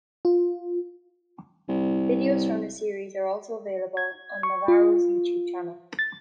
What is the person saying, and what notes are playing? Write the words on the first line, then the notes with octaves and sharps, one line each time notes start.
Videos from the series are also available on Navarro's YouTube channel.
F4
C2
G#6
C#6
F4
A6